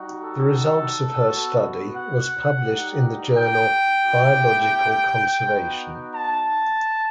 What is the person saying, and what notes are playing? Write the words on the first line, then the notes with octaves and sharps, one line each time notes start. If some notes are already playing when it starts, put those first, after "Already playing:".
The results of her study was published in the journal "Biological Conservation".
Already playing: G3 D#4 F#4
A4
B3 F#4
F#5
G3 D#4 G4
G5
B3 E4 G4
B3 D#4 F#4
A5